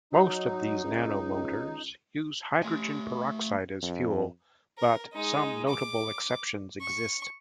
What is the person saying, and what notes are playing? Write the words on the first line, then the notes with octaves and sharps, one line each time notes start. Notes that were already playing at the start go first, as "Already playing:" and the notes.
Most of these nanomotors use hygrogen peroxide as fuel, but some notable exceptions exist.
F#3 D#4
C#2
A3 G#5
F2
A#4
G#3 D#4
D6
C#6